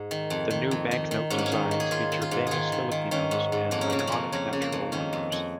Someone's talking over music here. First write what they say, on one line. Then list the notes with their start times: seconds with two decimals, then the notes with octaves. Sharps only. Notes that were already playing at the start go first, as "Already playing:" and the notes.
The new banknote designs feature famous Filipinos and iconic natural wonders.
Already playing: G#2
0.11 D#3
0.30 F2
0.50 D#3
0.71 F2
0.91 D#3
1.11 D#3
1.30 G#2 C#4
1.38 A#3
1.46 C#4
1.52 D#3
1.71 D#3
1.80 G#4
1.91 D#3 F4
2.12 D#3
2.22 F4
2.31 G#2
2.47 D#3 F4 G#4
2.72 D#3
2.91 D#3
3.11 D#3 C#4
3.31 G#2
3.52 G#2
3.71 F2 A#3
3.81 C#4
3.90 C#3 A#3
3.99 C#4
4.07 F2 A#3
4.32 F2 C#4
4.53 C#3
4.62 A#3
4.72 F2
4.92 D#3 C#4
5.13 F2
5.32 F2